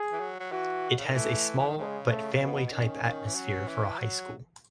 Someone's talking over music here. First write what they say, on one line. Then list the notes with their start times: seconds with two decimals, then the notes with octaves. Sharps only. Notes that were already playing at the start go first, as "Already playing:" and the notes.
It has a small, but family type atmosphere for a high school.
Already playing: G#4
0.12 E3
0.20 F#3
0.40 F#3
0.52 E3 F#4
0.89 B2
0.97 C#3
1.06 D#3
1.14 E3 A3
1.59 E3
1.68 D#3
1.78 C#3 G#3
2.10 A3
2.41 B2 B3
2.73 D#3 C#4
3.04 D#3
3.27 E3
3.35 F#3
3.68 E3
3.99 F#3